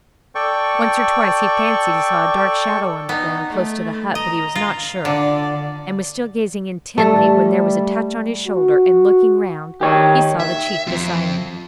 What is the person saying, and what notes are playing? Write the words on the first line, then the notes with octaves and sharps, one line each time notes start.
Once or twice he fancied he saw a dark shadow on the ground close to the hut, but he was not sure, and was still gazing intently when there was a touch on his shoulder, and, looking round, he saw the chief beside him.
A4 D5 G5 C#6
B3 D#4
A3
D#5 A#5
F4
D3 D5
G3 A3 A4
F#4
D#3 G4 C#5
E5
F2 F3